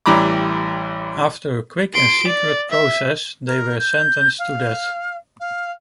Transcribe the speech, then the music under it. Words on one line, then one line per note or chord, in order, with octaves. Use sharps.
After a quick and secret process, they were sentenced to death.
A1 E3 G3 A#5 B5 D6
C6 D7
D5
E5
A#4
G6
F5
F5